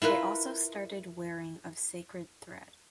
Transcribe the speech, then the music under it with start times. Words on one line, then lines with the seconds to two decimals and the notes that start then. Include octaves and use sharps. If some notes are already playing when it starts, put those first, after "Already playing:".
They also started wearing of Sacred thread.
0.02 E4 F4 A#4 B4